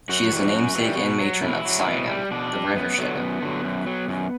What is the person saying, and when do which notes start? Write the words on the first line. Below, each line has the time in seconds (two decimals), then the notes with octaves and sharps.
She is the namesake and matron of Sionainn, the River Shannon.
0.09 F#2 F#4
0.32 E3 G3
0.54 F#2
0.76 E3 G3
0.98 B2
1.20 F#3
1.42 B2 E4
1.65 F#3
1.87 B2
2.09 G3
2.31 B2 D4
2.53 G3
2.75 F#2 B3
2.98 D3 F#3
3.20 F#2
3.42 D3 F#3
3.64 F#2
3.86 F#3
4.08 F#2